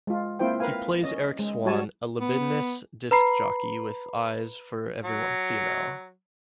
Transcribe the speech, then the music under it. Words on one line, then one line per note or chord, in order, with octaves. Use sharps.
He plays Eric Swan, a libidinous disc jockey with eyes for everyone female.
G#3 F4
A#3 C4 E4 F4 C5 G5
A#4 B4 F5 G#5
C#4 D#5
G#3
G3 F#4 C#5 G#5 A5
B3
B4 A#5 B5 C7
F#3